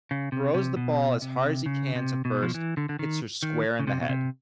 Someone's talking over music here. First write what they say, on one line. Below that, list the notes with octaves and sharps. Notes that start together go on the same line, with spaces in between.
throws the ball as hard as he can to first, hits her square in the head.
C#3
C3
C3
B2
C3
C#3
C3
B2
F3
E3
D3
D3
D#3
D#3
C#3
C3
B2
C3